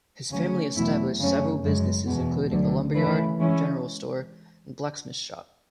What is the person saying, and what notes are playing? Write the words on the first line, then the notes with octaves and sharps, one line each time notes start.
His family established several businesses including a lumberyard, general store and blacksmith's shop.
D2 C#3 F#3 C#4
E2 B2 F#3 A3 E4
F#2 C#3 F#3 A3 C#4
F#2 C#3 G#3
E2 B2 G#3
D2 D3 F#3
C#3 E3 A3 E4 B4
E3 G#3 C#4 E4